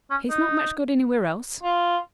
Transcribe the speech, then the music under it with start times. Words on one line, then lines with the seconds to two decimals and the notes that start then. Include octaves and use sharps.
He's not much good anywhere else.
0.10 C#4
0.30 D#4
1.63 F4